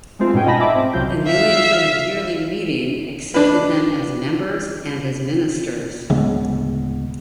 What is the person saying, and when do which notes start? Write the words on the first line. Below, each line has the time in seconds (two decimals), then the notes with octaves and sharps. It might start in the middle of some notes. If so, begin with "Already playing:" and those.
The New England Yearly Meeting accepted them as members and as ministers.
0.19 G#3 A3 C4 F4
0.33 G#2 B2 C#4 G5 G#5
0.46 D#5 F5 G#5 A5 B5 A#6
0.60 E5 A5 D6
0.75 C4
0.93 C2 C3 F#3 F4 G6
1.24 E5 F5
3.34 D4 B4
6.10 D1 C#3 G#3 B3